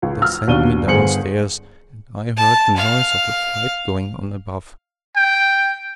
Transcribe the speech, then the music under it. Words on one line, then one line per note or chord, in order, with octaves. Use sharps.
They sent me downstairs; and I heard the noise of a fight going on above.
C#2
F6
D#2 B2 D4 D#7 G7
G1 D3 G#4 C5 C#7 F#7
A5
F5
G5